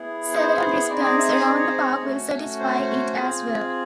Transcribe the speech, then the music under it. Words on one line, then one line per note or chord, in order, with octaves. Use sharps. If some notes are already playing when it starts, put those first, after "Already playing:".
Several brisk turns around the park will satisfy it as well.
Already playing: B3 E4 G#4
C5
C4 D#4 G#4 D5
D5
E5
D#5
D5
C#5
C5
C#5
A3 C#4 F#4
C5
C4 F4 G#4